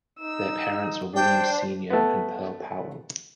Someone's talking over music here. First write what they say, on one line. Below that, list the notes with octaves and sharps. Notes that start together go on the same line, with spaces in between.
Their parents were William, Senior and Pearl Powell.
D#4 E6
D4 C5 D5 G5
A3 B3